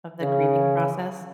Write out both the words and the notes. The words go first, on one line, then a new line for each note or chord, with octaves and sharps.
of the grieving process.
C#3